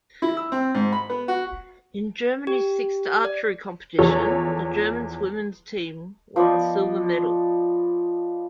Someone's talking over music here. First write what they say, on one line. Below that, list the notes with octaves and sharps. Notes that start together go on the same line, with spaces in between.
In Germany's sixth archery competition, the German women's team won the silver medal.
E4
E6
C4
G#2
B5
B3
F#4
G4
D5
E2 F3 A4 C#5
F3 B3 D5 D#5